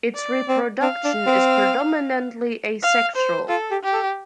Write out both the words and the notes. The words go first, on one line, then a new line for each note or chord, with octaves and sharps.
Its reproduction is predominantly asexual.
D5
C4
C4 F5
D4
C4
F5
C5
F4 A4
G4
G4
A4